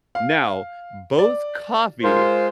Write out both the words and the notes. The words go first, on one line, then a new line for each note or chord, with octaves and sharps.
Now, both coffee
F5
D5
G#3 F4 A#4 C5